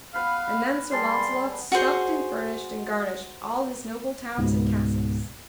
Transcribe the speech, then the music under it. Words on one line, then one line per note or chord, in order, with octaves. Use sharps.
And then Sir Launcelot stuffed and furnished and garnished all his noble towns and castles.
B3 B4 F5 B5
G3 G#4 A5 C6
F#4 G#4 C5 C#6
C#2 G#2 B2 B3